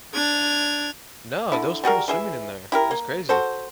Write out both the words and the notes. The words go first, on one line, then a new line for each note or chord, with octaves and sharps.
No, those people swimming in there. It was crazy.
D4 G#6 F7
D3 E4
G3 F#4 G#4 A#4
E3 G#4 E5
E4 G4 A#4
A#3
F#4 A4 C5